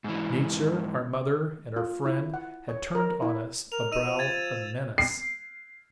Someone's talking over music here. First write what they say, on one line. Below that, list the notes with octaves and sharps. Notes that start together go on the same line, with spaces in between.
Nature, our mother, and our friend, had turned on us a brow of menace.
G#2 E3
F4
E4
F#5
C#5
A#4
E4
A#4 F7
D#4 E6 D#7 E7
F3
G#6 A6 D#7
E6
C7